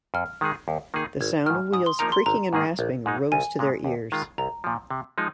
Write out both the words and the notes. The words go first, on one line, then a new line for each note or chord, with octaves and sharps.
The sound of wheels creaking and rasping rose to their ears.
F2 F6
D#3 G#3 D#4 G#4
D#2
D#3 A#3 D#4 G#4
G#1 G#6
G#2 D#3 F6
G#2 D#6
C6
F3 A#3 D#4 A#4 A#5
C6
G#1 A#5
G#2 D#3 A#3 G#4
A#1
G#2 G#3 D#4
C2 G#5
A#2 G#3
D#2
D#3 G#3 F4
C2 A#5
A#2 F3
C3
F3 G#3 D#4